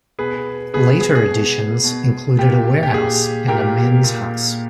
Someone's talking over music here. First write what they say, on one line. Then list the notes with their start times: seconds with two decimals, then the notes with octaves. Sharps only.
Later additions included a warehouse and a men's house.
0.19 B2 G#4 B4
0.74 B2 G#4 B4
1.01 G#4
1.15 G#4
1.28 B2
1.84 B2
2.39 A#2 G4
2.83 G4
2.93 A#2 G#4
3.48 A#2 G4 A#4
4.04 A#2